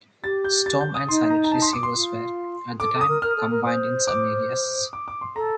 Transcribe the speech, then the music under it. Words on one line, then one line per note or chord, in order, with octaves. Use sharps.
Storm and sanitary sewers were, at the time, combined in some areas.
G4 A6
G6
A6
G6
D#6
D#4 C6
A#5
A#5
A5
C6
D6
C6
F4
A4 D6
A4
D#6
A#4
A#4 F6
A4
A#4
C5
D6
D6
D6
C6
A4 A#5